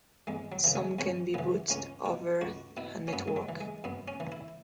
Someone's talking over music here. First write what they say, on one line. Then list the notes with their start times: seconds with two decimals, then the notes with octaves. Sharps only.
Some can be booted over a network.
0.27 E2 G#3
0.52 F#3
0.64 C#3 E3
0.75 G#3
0.99 E2 C#4
1.34 C#3 E3 B3
1.70 C#2 C#4
2.06 B2
2.41 C#2 F#4
2.77 B2 E4
3.08 C#4
3.13 F#2 B3
3.28 G#3
3.36 F#3
3.49 E3
3.60 G#3
3.84 F#2 B3
4.08 C#4
4.20 E3
4.32 E4